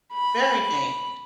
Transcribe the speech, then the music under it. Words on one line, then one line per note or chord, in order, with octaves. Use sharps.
Very dangerous.
B5